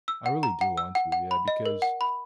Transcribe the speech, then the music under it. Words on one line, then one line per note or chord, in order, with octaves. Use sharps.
I really do want to, yeah, because,
E6
F#5
A#5
F#5
E6
F#5
F#5
B5
D#5
A#4
F#5
B5